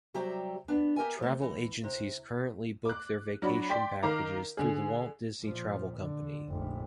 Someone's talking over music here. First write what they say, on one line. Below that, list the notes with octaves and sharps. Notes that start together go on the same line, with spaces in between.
Travel agencies currently book their vacation packages through the Walt Disney Travel Company.
C3 F#3 G3 G4 E5 A#5
B3 D4
G4 A#4 E5 G#5
F3 A3
E3
C3
D6 F#6
F#3 D4 F#4 B5
D5 G5 C6 B6
D#3 A#4 F5 A#5 D6
D3 G#4
A#2 F3
D3
F1 A#1